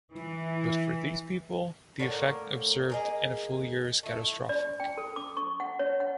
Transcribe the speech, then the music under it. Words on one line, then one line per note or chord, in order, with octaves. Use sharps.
But, for these people, the effect observed in a full year is catastrophic.
E3
A2 D3 A#3 A#4
A#3 G#4 D#5
A3 E4
D5
G5
A4
D6
C#6
F#5
C#5
F#5